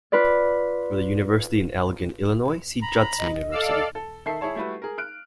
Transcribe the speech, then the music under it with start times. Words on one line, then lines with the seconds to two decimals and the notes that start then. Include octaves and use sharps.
For the university in Elgin, Illinois, see Judson University.
0.12 F4 B4 D5
2.82 A#5 B5
3.18 D#5
3.52 A4 D5 F5 E6
3.95 A4
4.26 D#3 A4 E5 C7
4.41 E4 G#4 C#5 A5
4.55 G3 A3 E4 F#4 B4
4.82 G#4 A#4
4.98 F6 F#6 D7